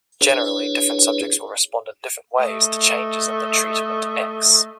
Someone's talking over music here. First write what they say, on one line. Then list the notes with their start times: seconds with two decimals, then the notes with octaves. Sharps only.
Generally, different subjects will respond in different ways to changes in the "treatment" "x".
0.21 D4 E4 G#4 B4 C#5
2.36 A3 D#5 E5